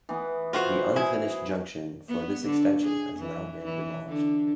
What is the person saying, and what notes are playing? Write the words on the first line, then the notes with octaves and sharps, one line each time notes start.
The unfinished junction for this extension has now been demolished.
E3 B3
F4 F#4 C5
E4 G#4
B3
D3
G#4
E3
E3
D3